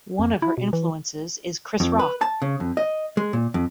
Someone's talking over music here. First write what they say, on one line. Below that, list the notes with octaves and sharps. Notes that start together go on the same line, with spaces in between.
One of her influences is Chris Rock.
F2
E4
B2
E3
F2
B4
A5
C#3
F2
D#5
G#3
A#2
F2